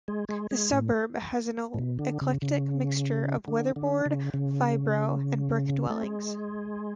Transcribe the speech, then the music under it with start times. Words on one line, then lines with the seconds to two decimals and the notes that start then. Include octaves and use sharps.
The suburb has an eclectic mixture of weatherboard, fibro and brick dwellings.
0.08 G#3
0.29 G#3
0.51 G#3
0.72 A2
1.74 A2
1.79 B2
1.99 D3
2.21 C#3
2.42 C#3
3.48 D3
3.76 D3
4.06 C#3
4.34 C#3
5.90 A3
6.03 G#3